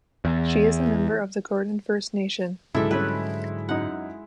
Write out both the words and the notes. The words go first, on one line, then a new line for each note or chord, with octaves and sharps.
She is a member of the Gordon First Nation.
E2
C#2 G#2 D3 F#3 G#3 E4 A4 E5
G3 C#4 B4
F#2 D#4 F#5